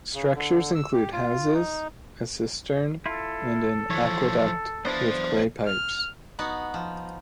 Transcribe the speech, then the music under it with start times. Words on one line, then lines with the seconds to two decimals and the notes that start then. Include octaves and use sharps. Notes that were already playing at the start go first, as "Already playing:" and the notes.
Structures include houses, a cistern and an aqueduct with clay pipes.
0.14 C#3
0.35 D3
0.75 E6
0.93 G4
1.13 F4
1.54 D#4
3.06 E4 F4 A4
3.90 E3 F3 C#5
4.85 B3 D4 E4 C5 A5
5.67 F6
6.39 B3 D#4 F#4 F#5
6.74 F3